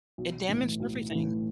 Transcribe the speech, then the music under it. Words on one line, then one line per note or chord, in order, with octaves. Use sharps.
it damaged everything.
B1
A2 E3
B1
E3
A2